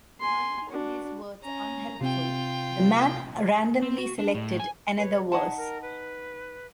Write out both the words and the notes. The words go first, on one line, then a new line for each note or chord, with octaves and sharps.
Finding these words unhelpful, the man randomly selected another verse.
G#5 C6
D4 F#4
C#4 A#5
C3 C4 F4 G5
C4
F#4
D4
A2
G#5
B4 C#5
D#4 G#4 F#5 A5
A#4
B4